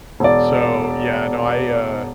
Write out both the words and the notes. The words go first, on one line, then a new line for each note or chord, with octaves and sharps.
So yeah. No, I, uh,
E1 D5